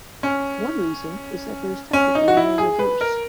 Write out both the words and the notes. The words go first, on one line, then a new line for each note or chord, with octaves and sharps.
One reason is that there is technically no reverse.
C#4
C#4
D#4
F#4
E4
G#4
B4
A#4